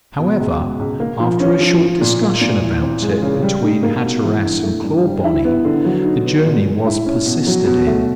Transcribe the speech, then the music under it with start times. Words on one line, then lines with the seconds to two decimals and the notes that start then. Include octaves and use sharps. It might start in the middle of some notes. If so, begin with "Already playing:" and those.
However, after a short discussion about it between Hatteras and Clawbonny, the journey was persisted in.
0.19 B2
0.40 C#2
0.59 G#3
0.79 C#2
1.00 A#3
1.20 F3
1.40 C#4
1.60 F3
1.81 F3
2.01 A#2
2.21 A#3
2.41 A#2
2.62 E3
2.82 C4
3.02 G#3
3.22 C#3
3.42 G3
3.63 D#4
3.83 A#3
4.03 B2
4.24 E3
4.43 G2
4.63 A3
4.83 G2
5.03 G3
5.24 E4
5.45 B3
5.65 D3
5.85 F#3
6.05 D#4
6.25 B3
6.45 A#2
6.66 G#3
6.86 E4
7.06 C#4
7.26 B2
7.47 F#3
7.67 B2
7.87 A3